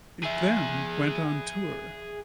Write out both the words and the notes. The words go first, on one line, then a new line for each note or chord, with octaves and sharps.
It then went on tour.
G#4 E5